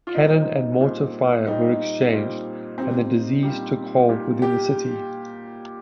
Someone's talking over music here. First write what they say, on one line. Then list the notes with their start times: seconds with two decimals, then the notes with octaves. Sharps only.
Cannon and mortar fire were exchanged, and disease took hold within the city.
0.07 F4
0.15 A#2 G3 C4 D#4
0.81 A#2 G3 C4
1.46 A#2 G3 C4 D#4
2.11 A#2 G3 C4
2.78 A#2 G3 C4 D#4 G4
3.43 A#2 G3 D#4 G4
4.09 A#2 G3 D#4 G4
4.42 G4